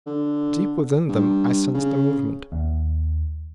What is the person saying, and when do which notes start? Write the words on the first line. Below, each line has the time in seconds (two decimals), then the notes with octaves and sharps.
Deep within them I sensed a movement.
0.07 D3
1.09 G2
1.74 C#3
2.52 D#2